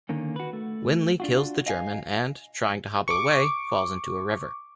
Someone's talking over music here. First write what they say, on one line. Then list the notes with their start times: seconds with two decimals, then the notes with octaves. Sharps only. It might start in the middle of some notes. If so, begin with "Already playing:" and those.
Winley kills the German and, trying to hobble away, falls into a river.
0.09 D3 D#3 A#3 C#4
0.36 F#4 B4
0.53 A3
1.20 D4 F4 F#4
1.66 D#5 F5 G#5
3.08 C#6 D6